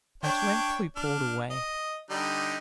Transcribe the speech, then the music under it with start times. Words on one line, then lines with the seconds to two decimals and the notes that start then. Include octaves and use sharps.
At length we pulled away.
0.23 D4 C#5 G5
0.96 D4 F6
1.50 D#5
2.10 D3 G3 D#4